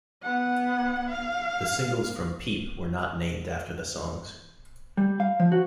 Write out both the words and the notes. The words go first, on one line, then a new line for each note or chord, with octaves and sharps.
The singles from "Peep" were not named after the songs.
B3 F#5
F5
G3
F5
F3
F#4